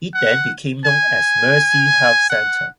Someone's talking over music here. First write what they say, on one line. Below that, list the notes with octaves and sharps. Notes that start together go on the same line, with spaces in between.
It then became known as Mercy Health Center.
F#5
G#5
F#5